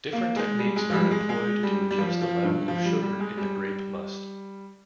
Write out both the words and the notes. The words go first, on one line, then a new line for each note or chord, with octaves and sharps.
Different techniques are employed to adjust the level of sugar in the grape must.
A#3
G#3
G3
G#3
F3
G3
G#3
G#3
G3
G3
F3
F3
G2
F3
G3
G3
G#3
G3